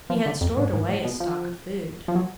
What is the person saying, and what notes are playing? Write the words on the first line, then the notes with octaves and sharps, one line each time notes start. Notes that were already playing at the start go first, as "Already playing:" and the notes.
He had stored away a stock of food.
F3
D3
F2
G#2
G#2
A2
B2
F3
F3
F#3